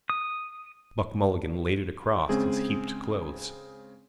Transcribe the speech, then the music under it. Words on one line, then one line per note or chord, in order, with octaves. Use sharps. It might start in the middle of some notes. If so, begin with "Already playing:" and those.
Buck Mulligan laid it across his heaped clothes.
D#6
C#3 G#3 C4 G#4